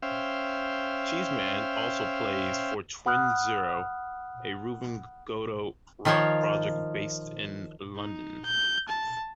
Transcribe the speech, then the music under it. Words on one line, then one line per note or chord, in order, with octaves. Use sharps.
Cheeseman also plays for Twin Zero, a Reuben Gotto rock project based in London.
C#4 C5 E5 F5 G5
F#5 B5 D#6 F6 F#6
D#3 F3 F4 C5 C#5
D#4
G6
A5